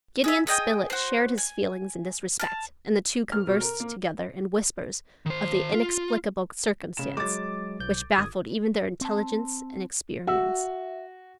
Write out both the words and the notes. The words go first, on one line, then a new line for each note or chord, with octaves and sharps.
Gideon Spilett shared his feelings in this respect, and the two conversed together in whispers of the inexplicable circumstance which baffled even their intelligence and experience.
G#4 E5
G#4 D#5 G5 D#6
F#4 C5
G#5
A5 F6
F6
B2
A#4
A#3
D#3 C5
F4
C#3 E7
F#3 G#3 D6 A6
B1 G6
G1 D#6 G#6
C4 A5
F#4 E5